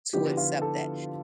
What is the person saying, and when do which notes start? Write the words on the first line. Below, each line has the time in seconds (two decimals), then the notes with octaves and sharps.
to accept that;
0.13 D3 F3 B3 E4 G4 B4
0.37 F4
0.62 A4